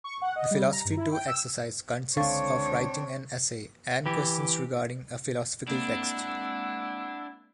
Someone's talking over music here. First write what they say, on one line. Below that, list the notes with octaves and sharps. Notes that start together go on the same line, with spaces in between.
The Philosophy two exercise consists of writing an essay and questions regarding a philosophical text.
C#6
F#5
D#5
G3
A#5
G2
E4
G5
E6
C#2 D3 C4 D4 C#5 F5 C#6 A6
E3 G4
G#3 A#3 C4 D4 E4 F#5